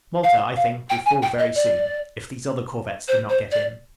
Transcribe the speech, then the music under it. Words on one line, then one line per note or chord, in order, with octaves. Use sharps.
Malta, I think, will fall very soon, if these other corvettes do not get in.
F5
F5
G5
G#5
G5
D#5
D5
C5
C5
D5